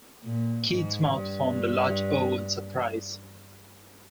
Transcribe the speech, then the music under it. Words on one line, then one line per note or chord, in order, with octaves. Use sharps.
Keith's mouth formed a large O in surprise.
A#2
G#2
G2